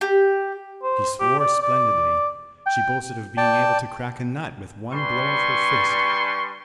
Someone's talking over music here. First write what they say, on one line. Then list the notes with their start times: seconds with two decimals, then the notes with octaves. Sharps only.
She swore splendidly; she boasted of being able to crack a nut with one blow of her fist.
0.01 G4
0.83 C5
1.20 G4
1.39 D5
1.62 D5
2.66 G5
3.37 D5 G5 A5
4.92 G3 D4 B4 G#5 C6 C#6